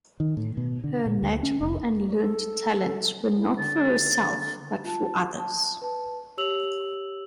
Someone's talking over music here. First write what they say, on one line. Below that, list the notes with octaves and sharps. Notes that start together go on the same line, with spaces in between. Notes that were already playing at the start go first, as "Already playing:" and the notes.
Her natural and learned talents were not for herself but for others.
D#3
A2
B2
D3
A#2
D2
C#4
F1
A4
E4
D3 A6
F4 A5
A5
B4 A5
G4 C#5 E6 F7 F#7